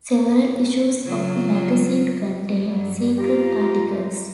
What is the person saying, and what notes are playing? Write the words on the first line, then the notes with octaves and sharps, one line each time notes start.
Several issues of the magazine contained "secret" articles.
C#3 F#3 F4
G2 F#3 G3
F4 G4 A#5